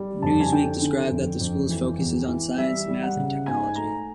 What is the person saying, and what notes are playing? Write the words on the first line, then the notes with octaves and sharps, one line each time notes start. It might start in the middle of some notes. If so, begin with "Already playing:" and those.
Newsweek described that the school's "Focus is on science, math and technology".
Already playing: G3
F2 A5
G#5
D3 G5
D3
F2
F2
E3
E2
E3
G3 E5
G3
F#5
C#3
G#2 G#5
A3 A#5